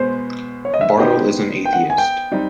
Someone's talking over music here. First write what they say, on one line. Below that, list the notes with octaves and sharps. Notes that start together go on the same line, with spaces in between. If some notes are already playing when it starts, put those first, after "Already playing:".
Bartle is an atheist.
Already playing: B2 G#3 B3 C5
C#5
D#5
E5
F5
B3 D#4 G4 C5 D#5 G5
G5
F#5
G#5
G5
G3 C4 D#4